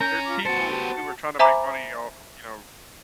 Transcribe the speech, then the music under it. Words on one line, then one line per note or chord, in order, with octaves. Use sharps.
there's people who are trying to make money off, you know,
C#4 A#5 G6
F4 D6
B3 F#4 C5 A5 C#7
G4 A5
F#5
C5 E5 G#5 A#5 B5 D6